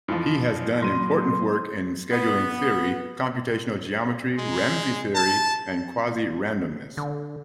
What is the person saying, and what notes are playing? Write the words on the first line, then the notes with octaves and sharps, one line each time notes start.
He has done important work in scheduling theory, computational geometry, Ramsey theory, and quasi-randomness.
F2 E3 F3 F4
A#2 F#3 C6 A#6 D#7
B3
G#3
A5
D3